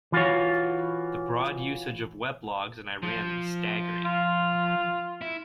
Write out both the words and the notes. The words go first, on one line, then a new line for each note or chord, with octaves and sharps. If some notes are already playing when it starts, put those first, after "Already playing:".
The broad usage of weblogs in Iran was staggering.
E3 F4 F#4 C#5
F3
F4
E4